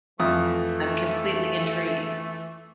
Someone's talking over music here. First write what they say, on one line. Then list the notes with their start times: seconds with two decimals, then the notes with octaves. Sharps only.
I'm completely intrigued.
0.20 F2 E3 A3 D#6